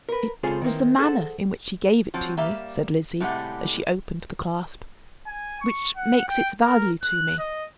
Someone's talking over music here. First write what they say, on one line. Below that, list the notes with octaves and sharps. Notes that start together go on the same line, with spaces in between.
"It was the manner in which he gave it to me," said Lizzie, as she opened the clasp, "which makes its value to me."
A#4 B4
C#2 C4 F4 G#4 A4 C5
D#3 E3 A#3 C4
G#4 A4 C5 F#5
F3 F#3 C4
G3 A#3 E5 F5
A2 C3 G3 G#3 F#5
G#5
C#6
F#5
G5
A#4
F#6
D#5